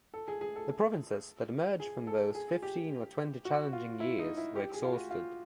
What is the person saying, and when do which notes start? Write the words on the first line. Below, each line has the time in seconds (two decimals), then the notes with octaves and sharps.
The provinces that emerged from those fifteen or twenty challenging years were exhausted.
0.14 A4
0.28 G#4
0.41 G#4
0.56 A4
1.80 G#4
2.07 A4
2.35 G#4
2.62 G4
3.45 F#4
3.73 F4
4.00 E4
4.19 D#4
4.37 E4
4.56 G4
4.74 G#4
4.85 F4
4.92 F#4
5.11 F4